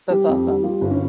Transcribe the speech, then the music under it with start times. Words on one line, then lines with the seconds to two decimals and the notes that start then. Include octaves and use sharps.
That's awesome.
0.10 G3 G4
0.28 F2
0.47 G3
0.64 G3 F4
0.81 G1
0.91 C#4